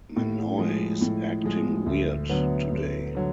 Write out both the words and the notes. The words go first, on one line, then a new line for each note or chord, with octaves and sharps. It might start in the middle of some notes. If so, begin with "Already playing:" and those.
Manoj is acting weird today.
A2
F3 G#3
A2
F3 G#3
D2
D3 F#3 B3
D2
D3 F#3